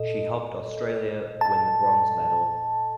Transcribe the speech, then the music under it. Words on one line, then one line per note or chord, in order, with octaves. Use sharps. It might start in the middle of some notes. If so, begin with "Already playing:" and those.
She helped Australia win the bronze medal.
Already playing: A#2 A4 D#5
A5